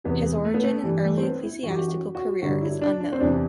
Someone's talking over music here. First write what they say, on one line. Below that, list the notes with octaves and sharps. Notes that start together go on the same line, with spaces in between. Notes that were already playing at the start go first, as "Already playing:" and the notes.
His origin and early ecclesiastical career is unknown.
E2 C3 E3 B3
A3
B3
A3
G2 E3 G3
A3
C4
B3
E4
F#2 E3 F#4
G4
F#4
F#4
F#4
G2 D3 F#3 F#4
E4
D4
D4
C4
E2 C3 E3 D4